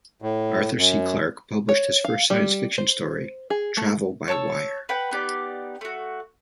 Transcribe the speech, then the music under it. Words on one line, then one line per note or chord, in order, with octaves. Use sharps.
Arthur C. Clarke published his first science fiction story, Travel by Wire!
A2
F#2
C#5
F5
G3
C5
G#4
A3
C#5 A5 E6
B4 F#5 G5
B3 D#4 G4 D5
A3 F#4